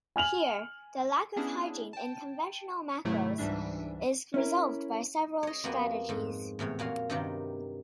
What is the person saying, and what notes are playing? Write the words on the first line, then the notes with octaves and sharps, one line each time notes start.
Here the lack of hygiene in conventional macros is resolved by several strategies.
G#5 F6 F7 F#7
B3 C#4 D4 E4 G#4
G5 A5
G#2 C3 D#3 F#3 A3 E4
C#2 G#2 E3 G3 D4 E5
C#4 E4 A#4
C#5 D#5
F2 A#3 B3 F#4 G4 G#5
F2 G#2
E2 A2 C3 C#5
F2 A#2 F#4 C#5 F5
G2 C3 D#3 F#3 G4 D5